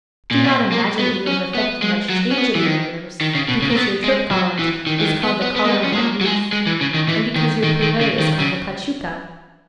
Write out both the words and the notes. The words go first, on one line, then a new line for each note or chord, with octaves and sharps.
Do not imagine that you have effected much change in the universe, because your trip-gallant is called the cholera-morbus, and because your pourree is called the cachuca.
A#2
B2
A#3
B3
C#4
B3
G#3
F#3
C#4
B3
E3
D#3
D#3
C#3
B2
C#3
A#3
B3
G#3
F#3
E3
D#3
E3
D#3
B3
B3
B3
A#3
B3
C#4
G#3
A#3
F#3
G#3
G#3
E3
C#3
D#3
E3
D#3
D#3
D#3
C#3
D#3
C#3